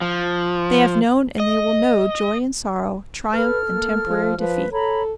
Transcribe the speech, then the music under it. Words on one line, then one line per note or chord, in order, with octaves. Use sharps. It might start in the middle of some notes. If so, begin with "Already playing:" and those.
They have known and they will know joy and sorrow, triumph and temporary defeat.
F3
D#5
A4 B4 F6
A#3
F3
F3 B4
A4 C#5 A#5 B5